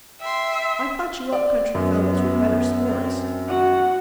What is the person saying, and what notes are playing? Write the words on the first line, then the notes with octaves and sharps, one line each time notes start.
"I thought you up-country fellows were better sports."
E5 G5 C6
D5
F#2 B3
C4
F#4 F#5